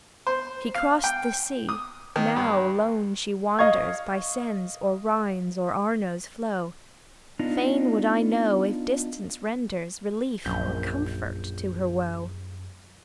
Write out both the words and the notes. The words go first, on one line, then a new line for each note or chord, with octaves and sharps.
She crossed the sea--now lone she wanders By Seine's, or Rhine's, or Arno's flow; Fain would I know if distance renders Relief or comfort to her woe.
C5
F5
G5
D#6
D#3
G2
D#5 F5 C#6 G#6
B3 D4 D#4 F4
A#1 F#2 G6